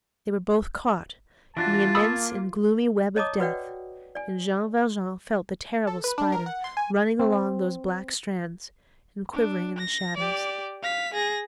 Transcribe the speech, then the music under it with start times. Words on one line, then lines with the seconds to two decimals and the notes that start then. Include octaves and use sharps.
They were both caught in the immense and gloomy web of death, and Jean Valjean felt the terrible spider running along those black strands and quivering in the shadows.
1.57 E3 D4 F4 F#4 A5
1.95 A#3 B5 D#6 E6
3.16 C#5 D#5 A5 A#5 D6 D#6
3.40 F#4 B4 C#5 D5 F#5 G5
4.15 D5 G#5
5.87 A4
6.04 B4
6.18 D4
6.32 A#4
6.46 F#5
6.64 C6
6.77 G#5
7.20 C4
9.33 D4
9.78 A#6
10.17 G4 D5
10.83 F5 B6
11.14 G#4 A#6